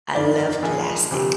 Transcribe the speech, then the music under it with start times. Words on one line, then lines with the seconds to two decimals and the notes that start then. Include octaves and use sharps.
I love plastic.
0.14 G1 F2 D#3 D5
0.38 A#4
0.63 A#1 A#2 F3 G#4
1.11 D2 C3 F3 G4